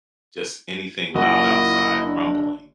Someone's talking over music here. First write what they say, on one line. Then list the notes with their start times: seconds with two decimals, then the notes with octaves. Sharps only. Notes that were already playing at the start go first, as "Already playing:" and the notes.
just anything loud outside rumbling,
1.15 F#1 A#2 A#3 E4 F#4 D#5
2.03 D4